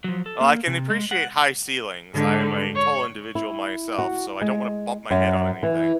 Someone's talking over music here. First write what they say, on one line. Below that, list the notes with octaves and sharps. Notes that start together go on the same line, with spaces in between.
Oh, I can appreciate high ceilings, I am a tall individual myself, so I don't wanna bump my head on anything.
F3 F#3
A4
A#3
C3
G#3
F#5
G#2 D3
C#5
E4
F#4
G#3
F#2
E3